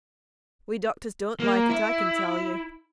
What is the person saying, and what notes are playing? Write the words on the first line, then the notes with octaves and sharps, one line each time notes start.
We doctors don't like it, I can tell you!'
A#3
E4